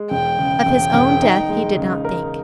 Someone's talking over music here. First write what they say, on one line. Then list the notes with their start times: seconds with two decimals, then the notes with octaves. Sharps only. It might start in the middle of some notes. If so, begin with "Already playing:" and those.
Of his own death he did not think.
Already playing: G#3
0.11 E1 G5
0.39 C#3
0.66 E1
0.94 E1
1.22 D#4
1.49 G#3
1.77 C#3
2.05 A#4